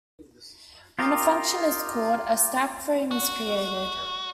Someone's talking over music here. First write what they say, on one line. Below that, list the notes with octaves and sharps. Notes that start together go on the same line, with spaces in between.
When a function is called, a stack frame is created.
F4 G4 A#4 D#5
F#4